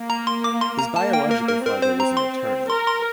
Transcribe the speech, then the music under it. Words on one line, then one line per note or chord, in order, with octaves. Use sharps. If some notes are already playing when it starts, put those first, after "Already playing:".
His biological father was an attorney.
Already playing: A#3
A#5
C6
D6
C6
A#5
A#3 A5
G5
A#4
A#4
C4 A#4
C5
A#5
C6
A#4 C6
C6